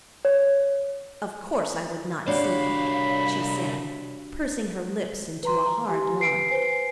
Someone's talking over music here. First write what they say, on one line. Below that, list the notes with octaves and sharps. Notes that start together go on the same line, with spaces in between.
"Of course I would not see him," she said, pursing her lips into a hard line.
C#5
C2 D4 F#4 G4 C#5 D5 F5 B5
B4 A#5 C6
A#5
G4 G#5 C6
B4 C7 D7
B4 C5 G#5 C7